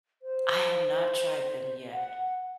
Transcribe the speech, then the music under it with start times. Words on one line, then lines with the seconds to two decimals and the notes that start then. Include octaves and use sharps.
I have not tried them yet.
0.22 C5
1.92 F#5